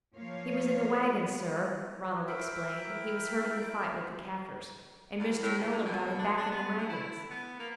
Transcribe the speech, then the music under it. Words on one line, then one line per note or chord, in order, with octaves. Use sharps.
"He was in the waggon, sir," Ronald explained; "he was hurt in the fight with the Kaffirs, and Mr. Nolan brought him back in the waggons."
F3 A#3 C#5 F5
E4 A#4 E5 G5
E2
A2
C#2
D3
B2
D4
D4
B3
D3
E4
B3
A#3